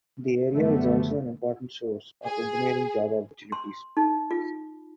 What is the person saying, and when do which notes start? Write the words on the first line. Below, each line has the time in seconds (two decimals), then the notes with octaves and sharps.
The area is also an important source of engineering job opportunities.
0.51 F#2 D3 F3 G3 A3 B3
2.26 G#4
3.52 C6
3.97 D#4
4.31 F4